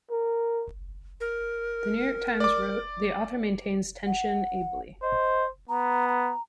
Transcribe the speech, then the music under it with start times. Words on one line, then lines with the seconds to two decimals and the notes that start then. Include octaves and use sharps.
The "New York Times" wrote "the author maintains tension ably".
0.11 A#4
1.20 A#4
2.40 D5 D6
4.06 F#5
5.03 C5 D#5
5.69 B3 A#5
6.08 A#5